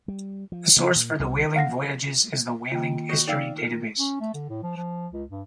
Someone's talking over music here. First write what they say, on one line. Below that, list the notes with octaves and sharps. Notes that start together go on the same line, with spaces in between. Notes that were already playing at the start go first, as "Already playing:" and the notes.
The source for the whaling voyages is the Whaling History database.
G3
F3
C#3
A#2
C2
F5 F#5 A#6 C7
D#3 A#3 F4 G5
F#4 C5 D#5
D#4 D5 F5 G5 E6
F4 A#4
C#4
A3
D3
A2
F3
F3
C#2
G2